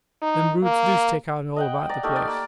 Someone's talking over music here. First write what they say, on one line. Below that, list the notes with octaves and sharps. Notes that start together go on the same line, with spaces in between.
Them roots do stick out all about the place.
D#4
A#3
D#5 F#5 G5
D5 A#5
A3 A#3 D#4 G4
D5
A#3